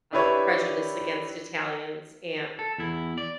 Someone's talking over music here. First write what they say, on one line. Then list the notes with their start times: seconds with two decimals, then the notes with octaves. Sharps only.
um, prejudice against Italians and
0.13 D4 E4 G4 B4 C#5
2.59 A4
2.78 E2 E4
3.18 D5